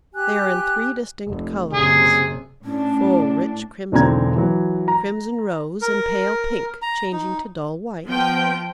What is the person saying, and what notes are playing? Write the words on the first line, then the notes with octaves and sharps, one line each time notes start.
They are in three distinct colourings--full rich crimson, crimson-rose, and pale pink changing to dull white.
G4 G#5 F#6
F1
F#1 C3 G#4
A2 C#4 D4
E1 B1 D3 C4 A#5 G#6
E3 F#3
A#5
A#4
A#5
D#4
F3 B3 G5